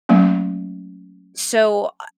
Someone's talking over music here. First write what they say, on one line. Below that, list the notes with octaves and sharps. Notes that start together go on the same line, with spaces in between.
so, uh,
F#3 A3 A#3 C#4